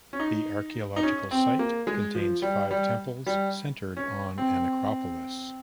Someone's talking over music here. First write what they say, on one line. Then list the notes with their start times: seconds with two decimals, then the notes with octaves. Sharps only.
The archaeological site contains five temples centered on an acropolis.
0.13 C#4
0.20 D#4
0.96 D#4
1.03 C#4
1.31 C4
1.59 A#3
1.87 G#3
2.15 F3
2.42 G3
2.71 G3
3.26 G3
3.97 C#4
4.38 C4